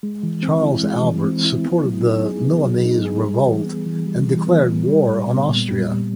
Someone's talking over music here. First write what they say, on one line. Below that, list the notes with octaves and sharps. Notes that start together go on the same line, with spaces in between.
Charles Albert supported the Milanese revolt and declared war on Austria.
G#3
E3
C4
E4
G#3
E3
C4
E4
B3
F#3
D#4
G#4
B3
F#3
D#4
G#4
G3
E3
B3
E3
G3
E3
B3
E3
G3
A#2
B3
A#2
G3
A#2